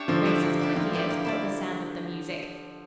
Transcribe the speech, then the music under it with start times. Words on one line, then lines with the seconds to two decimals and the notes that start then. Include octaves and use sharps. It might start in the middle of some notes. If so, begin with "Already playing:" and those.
Grace's quick ears caught the sound of the music.
Already playing: D4 G4 C#5 E5
0.08 D3 F3 A#3
0.25 E4 G4 D5
0.42 A#3
0.59 E4 G4 D5
0.75 D3 F3 A#3
0.93 E4 G4 D5
1.10 A#3
1.25 E4 G4 D5